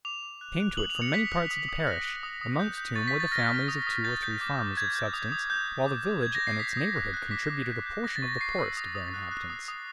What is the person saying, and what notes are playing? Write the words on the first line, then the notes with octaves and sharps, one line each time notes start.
People came to it from many parts of the parish, amongst whom were the families of two or three farmers of substance, while the village and its neighbourhood contributed a portion of the poorest of the inhabitants.
D6 F7
D6
F#6
F#6
D#6 F#7
F7
D#6
C#7
F#6 B6
F#6
D#6
D#6
F#6 A#6
F#6
D#6
D#6
G6
G6
C#6 A6
B6
C#6
A6
F6 A#6
F6
D#6
D#6
G6 A6
G6
D6
D6
G6 G#6
G6
D#6
D#6
G6
G6
D6
D6
G6 G#6
A#6
G6
C7
D#6 B6
D#6
F#6
F#6
D6 B6
D6
G6
G6
G6 A#6
A6
C#6
A#6
C#6 C7
E6
D#6
D#6
F#6
F#6
D#6
D#6